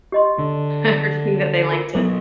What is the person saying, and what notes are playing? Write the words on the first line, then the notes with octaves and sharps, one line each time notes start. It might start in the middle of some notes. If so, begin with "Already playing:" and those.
everything that they like to
G4 D#5 C6
D3
F4 A#4
F#3 B3 A4